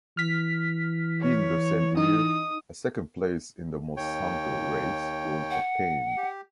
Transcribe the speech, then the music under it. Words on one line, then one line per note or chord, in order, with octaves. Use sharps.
In the same year, a second place in the Monsanto race was obtained.
E3 F6 B6
C#5
D#4 D#6
D#2 C#5 G5
F#5
G4